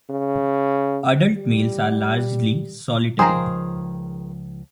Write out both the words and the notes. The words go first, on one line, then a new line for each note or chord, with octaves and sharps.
Adult males are largely solitary.
C#3
G3
C#2 D#3 F3 G#4 C5 A#5